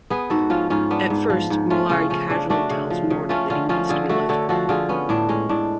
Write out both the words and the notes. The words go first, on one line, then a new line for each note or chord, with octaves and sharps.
At first, Mollari casually tells Morden that he wants to be left alone.
B3 G#4 B4
G#2 F#4 A4
F3 C#4 F4
G#2 C#4 F4
B3 D4
G#2
F3
G#2
A3 C#4 F4
C#3 C#4 F4
F3 C#4
C#3 D4
A3 D4 F#4
C#3
F3
C#3
A3 C#4 F4
D3 C#4 F4
F3 C#4 F4
D3 F4 G#4
A3 F#4 A4
D3 A4 C#5
F3 F#4 A4
D3 F4 G#4
B3 C#4
A2 D4
G#3 C#4
A2 D4